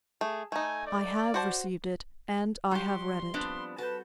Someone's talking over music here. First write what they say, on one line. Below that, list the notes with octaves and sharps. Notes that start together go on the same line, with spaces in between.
"I have received it, and I have read it."
A3 G#4
A3 D#4 G#5
D5
F#4 C5 A5
G3 F#4 G4 C6
F3 B3 C4 D4 B5
F#4 A4 B4 A5 G6